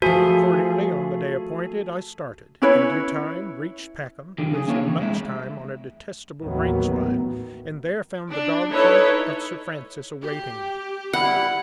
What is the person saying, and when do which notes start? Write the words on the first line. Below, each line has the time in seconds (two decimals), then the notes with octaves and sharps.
Accordingly, on the day appointed I started; in due time reached Packham, losing much time on a detestable branch line, and there found the dogcart of Sir Francis awaiting me.
0.02 F3 A3 F#4 G#4 C5
2.62 C#4 E4 B4 C#5
4.38 C2 F#2 D3 D#3
4.51 C#3 G#4
4.68 A#3 D4 E4 F4 A4 C#5
4.83 E2 C3
4.99 G2 G#3 D#5 E5
6.42 A1 D#2 D#3 F#3 A3 B3
8.30 D4
8.70 D#4 E4 A4 B4 C#5
10.22 G4
11.13 G3 E4 F#5